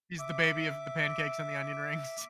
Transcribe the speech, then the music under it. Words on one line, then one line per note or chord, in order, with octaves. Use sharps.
She's the baby of the pancakes and the onion rings.
E5 D6